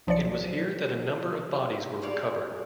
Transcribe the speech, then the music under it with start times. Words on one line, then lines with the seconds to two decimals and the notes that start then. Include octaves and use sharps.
It was here that a number of bodies were recovered.
0.07 B1 F3 F#3 D5 C#7
2.02 G3 G#3 C#5 D5